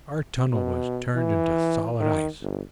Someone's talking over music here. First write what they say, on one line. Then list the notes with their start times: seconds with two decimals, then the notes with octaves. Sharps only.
Our tunnel was turned into solid ice.
0.52 B2
1.15 E3
2.00 D#3
2.42 G1